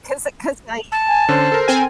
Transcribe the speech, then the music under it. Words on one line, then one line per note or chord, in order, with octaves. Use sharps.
'Cause I 'cause I,
A5
G#5
D3 C#4 C5
A4 A#4
C4 G#5